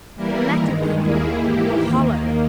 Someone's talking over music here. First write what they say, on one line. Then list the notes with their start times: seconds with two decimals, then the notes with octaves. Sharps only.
The Metal People were hollow!
0.15 E3 G3 A#3 E4 A#4
0.56 G2 D#3 G#3
0.97 D#2 D#3 A#3 E4 G#4
1.38 G#2 E3 A#3 E4 G4
1.78 D#2 D#3 A#3